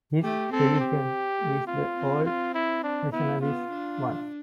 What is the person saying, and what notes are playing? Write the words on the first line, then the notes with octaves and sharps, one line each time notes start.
His religion is the old rationalist one.
A3 G4
C4 A4
G4
A3
C4 F4
C4
F4
E4
D4
B3 E4
B3 F4
D4